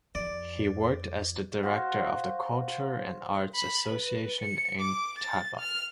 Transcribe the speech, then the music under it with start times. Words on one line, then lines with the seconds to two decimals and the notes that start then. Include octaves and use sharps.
He worked as the director of the Culture and Arts Association in Tabuk.
0.15 F2 D5
1.63 F#4 C5 F5
3.55 B5
3.88 B4
4.40 C#7
4.80 D6
5.18 A6
5.59 F6